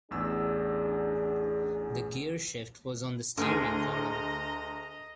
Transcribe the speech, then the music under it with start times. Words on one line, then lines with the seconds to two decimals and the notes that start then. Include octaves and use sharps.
The gearshift was on the steering column.
0.11 A1 E2 D4 G#4 E6
3.38 D2 G#4 A#4 D#5 A#5